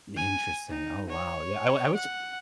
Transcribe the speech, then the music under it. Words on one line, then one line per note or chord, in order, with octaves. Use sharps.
Interesting. Oh wow. Yeah, I wi I wish
G#5
D#4
C#5
F#5